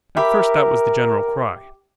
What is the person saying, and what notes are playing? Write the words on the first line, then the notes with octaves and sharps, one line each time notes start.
At first that was the general cry.
G4 A#4 E5 B5